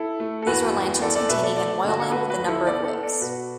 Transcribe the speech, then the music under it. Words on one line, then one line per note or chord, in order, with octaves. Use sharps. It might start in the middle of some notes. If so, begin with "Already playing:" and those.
These were lanterns containing an oil lamp with a number of wicks.
Already playing: E4 A4
A3
A4
E2 F#4 B4
E2
E2 A4 D5
A4 D5
B2 B4 E5
A4 D5
A3 A4 D5
D3 F#4
A4
A3 F#4 B4
F#4 B4
D2
E4 A4
B3 A4 D5
A4 D5
B3
A4 D5
B2 F#4 B4